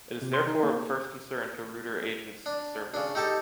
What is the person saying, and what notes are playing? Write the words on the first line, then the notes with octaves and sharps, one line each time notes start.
It is therefore of first concern to Reuter Agence Service.
C3
C6
D#4
A#3
D4
C#3 D4
D#4 G4 A4 A5